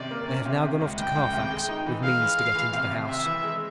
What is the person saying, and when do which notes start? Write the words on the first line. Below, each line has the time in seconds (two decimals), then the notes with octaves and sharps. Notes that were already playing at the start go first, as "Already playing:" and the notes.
They have now gone off to Carfax, with means to get into the house.
Already playing: C3 C#4 D5
0.11 A#3
0.28 C#4
0.45 C3
0.63 C3
0.80 C#2
0.98 C#2 G5
1.15 C#2
1.33 C3
1.50 G#3
1.69 D#4
1.86 E3
2.04 G#3 F5
2.21 E3
2.38 G#3
2.55 E3
2.73 C3
2.91 C3
3.09 C3 E5
3.25 E3
3.44 G#3